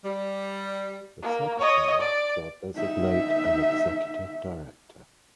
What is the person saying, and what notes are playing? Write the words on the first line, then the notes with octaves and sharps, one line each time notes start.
The Secretary shall designate an Executive Director.
G3
A#3
C#5 D#5
D5
D#4 E5